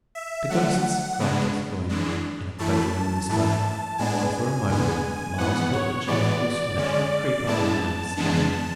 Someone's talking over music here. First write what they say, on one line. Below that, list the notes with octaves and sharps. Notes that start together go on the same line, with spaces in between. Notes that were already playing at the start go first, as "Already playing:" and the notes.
"The ghosts!" cried Gascoyne, in a quavering whisper, and for a moment Myles felt the chill of goose-flesh creep up and down his spine.
E5
D3 F#3 A3 F#5
C#3 G#3 B3 D4
F#2 E3 G#3 D4
F#2 E3 A3 E4 A5
G#2 E3 A3 E4
A2 G#3 B3 D4 G#5
E2 D3 G#3 B3
G#2 E3 B3 F#5
C#5
A2 E3 G#3 B3 D5
D3 G#3 C#4
A2 G#3 B3 E4 A5
C#3 E3 G#3 B3 D4